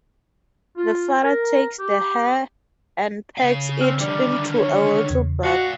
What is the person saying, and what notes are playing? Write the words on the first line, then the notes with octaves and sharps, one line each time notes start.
The father takes the hair and packs it into a little bag.
F4
A#4
G4
C#3 F5
C4 F6
D3 D#3 G3 D5
C#5
E2 C#3
F#4 D5 D#5 F5